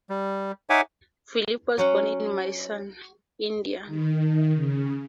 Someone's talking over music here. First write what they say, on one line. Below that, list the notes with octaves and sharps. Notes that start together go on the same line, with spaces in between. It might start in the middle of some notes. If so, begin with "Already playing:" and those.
Phillips was born in Madison, Indiana.
G3
D#4 C#5 E5 F#5 G#5 D6
F#3 C#4 F#5
D#3
C#3